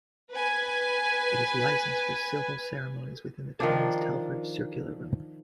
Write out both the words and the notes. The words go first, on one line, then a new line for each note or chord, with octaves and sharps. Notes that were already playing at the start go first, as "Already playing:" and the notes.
It is licensed for Civil Ceremonies within the Thomas Telford Circular Room.
B4 G#5
D#3 F3 D4